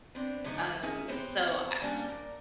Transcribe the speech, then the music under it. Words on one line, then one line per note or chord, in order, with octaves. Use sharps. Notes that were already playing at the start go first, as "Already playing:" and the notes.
Um, so I
B3 C4 D4
A2 D3 F#3 D#4 E5
C#4 D#4 G#4 E5
C3 B3 C4 C5 C#5
G3 A#3 C#4 D4 F4
A#2 A#4